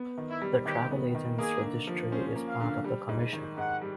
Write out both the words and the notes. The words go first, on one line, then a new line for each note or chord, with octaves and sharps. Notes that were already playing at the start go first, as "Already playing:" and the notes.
The Travel Agents Registry is part of the commission.
Already playing: B3
D#3
E4
G3
D#3 G4
B3
D#3
A#3 G#4
D3
F3
C#4 C5
A#3
F5
D3
G3
G#2
D#3
G#2 F#5
G3